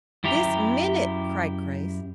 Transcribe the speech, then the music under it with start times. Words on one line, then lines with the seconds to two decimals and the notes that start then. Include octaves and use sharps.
"This minute!" cried Grace.
0.24 F#2 E4 G4 A#5